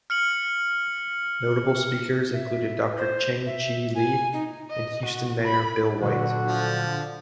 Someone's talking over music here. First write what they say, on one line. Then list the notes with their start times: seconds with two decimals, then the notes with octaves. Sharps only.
Notable speakers included Doctor Cheng Chi Lee and Houston Mayor Bill White.
0.10 F6 C#7 F#7
2.34 E5
2.98 C5
3.46 E5
3.95 G#5
4.33 D#4
4.70 D#5
5.06 F#4
5.44 B5
6.01 A#2 D3 F#3 F#4
6.47 F3